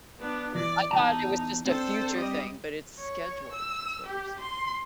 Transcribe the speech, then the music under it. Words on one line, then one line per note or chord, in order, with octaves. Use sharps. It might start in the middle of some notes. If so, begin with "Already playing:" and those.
I thought it was just a future thing, but it's scheduled, is what you're saying.
B3 D4
E3 D5
E2 E3 D#4 A5
C4 D4 A4 C5
G3 D#5
C#5
E6
G4
C6